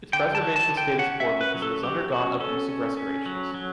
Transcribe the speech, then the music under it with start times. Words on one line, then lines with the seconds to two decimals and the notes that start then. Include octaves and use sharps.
Its preservation state is poor because it has undergone abusive restorations.
0.13 D3 G5
0.35 A5
0.41 F#3
0.56 A5
0.70 D3
0.77 G5
0.99 C#4 F#5
1.20 E5
1.27 C#4
1.41 B4
1.55 F#3
1.62 A4
1.83 F#3 G4
2.12 C#4 F#4
2.40 C#4 A4
2.69 C#4
2.97 C#4
3.26 F#3
3.54 F#3